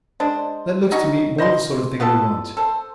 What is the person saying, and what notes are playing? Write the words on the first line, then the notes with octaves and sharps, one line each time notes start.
That looks to me more the sort of thing we want.
G#3 D4 C5
C#4 D#4 F#4
C5 D#5 B5 C6
B3 F4 G4 A4
A4 C5